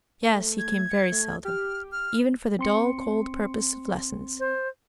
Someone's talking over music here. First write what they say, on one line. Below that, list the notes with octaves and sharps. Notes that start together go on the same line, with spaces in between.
Yes! he came very seldom, even for the dull cold purpose of lessons.
A3
G#6
C#7
A3
G4 F6
F6
C4 C6 C#7
C5